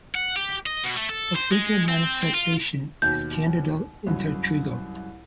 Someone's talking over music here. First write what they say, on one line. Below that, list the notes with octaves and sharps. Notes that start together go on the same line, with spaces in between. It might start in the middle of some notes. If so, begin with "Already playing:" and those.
A frequent manifestation is candidal intertrigo.
F#5
G4
D#5
B2
A3
A4
C5
G#3
C4
C4
F4
D#2 B2 G6
C2 F#2